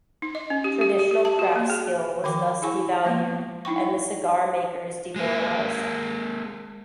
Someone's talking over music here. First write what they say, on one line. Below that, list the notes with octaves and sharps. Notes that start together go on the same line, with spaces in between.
Traditional craft skill was thus devalued and the cigar makers demoralized.
D#4
D#5
C#4
G4
G4
G4
G4
A5
F#4
A#3
G#4
D#3 F3 G5 D6
E4 G#4 G#5 C#6
F3 G#3 A#3 B3
D#4 E4 G5 C#6
G#3 A#3